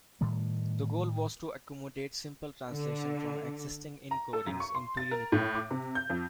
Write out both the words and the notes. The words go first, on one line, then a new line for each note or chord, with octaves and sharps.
The goal was to accommodate simple translation from existing encodings into Unicode.
A2 D#3 G3 A3
D3
A#5
A4
F#2
C#6
C6
A6
A#4
A2
D6
C3
G6
F2